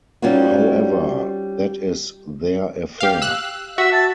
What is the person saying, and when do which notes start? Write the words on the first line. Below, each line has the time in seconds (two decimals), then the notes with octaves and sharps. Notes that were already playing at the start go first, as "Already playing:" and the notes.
However, that is their affair.
0.22 G3 C4 C#4 D#4 F4 F#4
3.00 G4 F5
3.22 E6 F#6
3.78 F#4 E5
3.93 A5